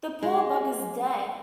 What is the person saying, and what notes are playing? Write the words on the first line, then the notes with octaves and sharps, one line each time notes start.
The poor bugger's dead!
G#3